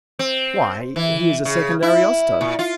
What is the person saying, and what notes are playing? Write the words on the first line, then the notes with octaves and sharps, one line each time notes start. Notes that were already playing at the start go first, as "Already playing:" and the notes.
"Why, he is a second Ariosto."
C4
E3
C#3
E4
A#2
F4